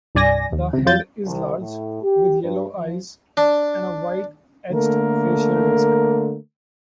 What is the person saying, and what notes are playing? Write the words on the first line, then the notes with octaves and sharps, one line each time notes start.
The head is large, with yellow eyes and a white-edged facial disc.
C2 G2 D5 G#5 A#6
D#2
C#2 C3
F2 F4 G6 A6
C2
A2
G4
G2
F3
D4
D3 A3 A#3 A#4